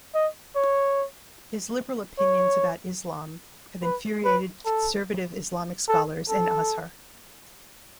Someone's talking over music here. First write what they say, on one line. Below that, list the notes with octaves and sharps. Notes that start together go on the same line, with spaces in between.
His liberal opinions about Islam have infuriated conservative Islamic scholars and Azhar.
D#5
C#5
C#5
B4
B4
A4
A4
A4